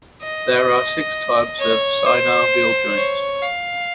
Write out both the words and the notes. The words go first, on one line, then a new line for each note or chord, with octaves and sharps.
There are six types of synovial joints.
D#5
C#5
C5
C#5
F5